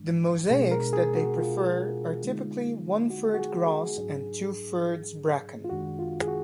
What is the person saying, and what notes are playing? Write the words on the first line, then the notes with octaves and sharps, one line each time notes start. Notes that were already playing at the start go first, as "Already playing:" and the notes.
The mosaics that they prefer are typically one-third grass and two-thirds bracken.
Already playing: G#2 D#3 G#3 D4
B2 G#3 D4 G#4
A#4
G#4
F#4
F4
D3 G#3 B3 D#4
F#4
F#4
G#4
G#4
G#2 F#3 D4
F4
F#2 D#3 G#3 D4 F#4
F4
G#4
F#4